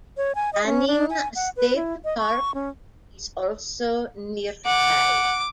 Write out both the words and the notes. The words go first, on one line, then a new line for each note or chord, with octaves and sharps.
Banning State Park is also nearby.
C#5
G#5
D#5
C#4
D4
G#5
F#5
B4
E4
D#5
C#6
C#4
F#5 D6